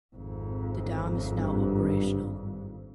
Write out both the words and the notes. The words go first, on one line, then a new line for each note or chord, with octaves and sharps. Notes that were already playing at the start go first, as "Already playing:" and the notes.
The dam is now operational.
G#1 F2
G2